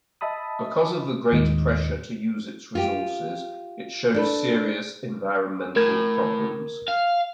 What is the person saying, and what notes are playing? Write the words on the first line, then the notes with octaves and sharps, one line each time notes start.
Because of the great pressure to use its resources it shows serious environmental problems.
D#5 E5 A5 B5 D#6
D#2 A2 D#3 G#3 D#5
F4 G4
D4 A4 B4
A2 A#4 G#6
F5